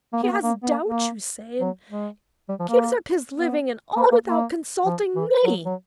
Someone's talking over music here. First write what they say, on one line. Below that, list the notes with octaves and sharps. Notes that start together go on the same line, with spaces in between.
'He has doubts, you say, and gives up his living, and all without consulting me.
A#3
B3
A#3
A#3
B3
A#3
A#3
F#3
G#3
G3
F3
A#3
B3
A#3
A#3
A#3
F3
E3
F#3
F#3